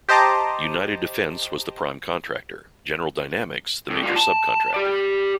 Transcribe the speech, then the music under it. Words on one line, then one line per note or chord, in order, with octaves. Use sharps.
United Defense was the prime contractor; General Dynamics the major subcontractor.
G4 C5 D#5 A5 A#5 D6
F2
G3 F4
A5
G4 D5